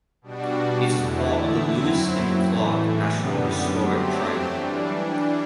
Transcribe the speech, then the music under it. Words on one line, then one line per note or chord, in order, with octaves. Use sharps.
It is part of the Lewis and Clark National Historic Trail.
B2 G3 D4 F#4
E2 D3 A3 E4
F#2 F#3 C4 E4
A2 E3 A3
F#2 D3 G3 B3
F#3 A3 C4 G4
E3 G3 D4